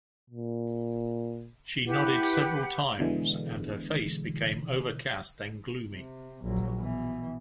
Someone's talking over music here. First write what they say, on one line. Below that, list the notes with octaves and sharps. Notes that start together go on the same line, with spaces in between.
She nodded several times, and her face became overcast and gloomy.
A#2
E4 G4 B4 F#5
B2 D3 E3 G#3
C3
A#1 F#3
B2 E3